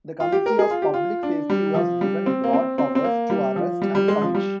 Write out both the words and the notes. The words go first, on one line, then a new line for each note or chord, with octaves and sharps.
The Committee of Public Safety was given broad powers to arrest and punish.
F4
G4
A#4
G#4
F4
G4
F4
D4
G3
F3
G3
C4
A#3
C4
C4
C4
A#3
G3
F3
G3
G3
G#3
F3
G3